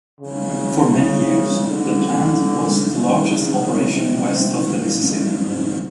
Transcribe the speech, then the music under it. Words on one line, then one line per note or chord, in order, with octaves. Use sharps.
For many years, the plant was the largest operation west of the Mississippi.
C#3
C#3
D3
C#3
C3
A#2
A2
G#2